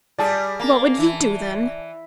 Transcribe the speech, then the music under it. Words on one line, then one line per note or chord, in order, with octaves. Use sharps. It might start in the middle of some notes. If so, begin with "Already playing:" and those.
"What would you do then?"
G3 G#4 D5 A5
A#3
E3